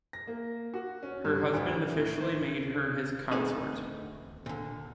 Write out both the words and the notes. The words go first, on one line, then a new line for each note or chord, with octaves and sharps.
Her husband officially made her his consort.
A#6
A#3
F#4
C#4
G2
D2
E3
A2
C5
D3 A3 B3 C4 D#4 G#4
A#2 D3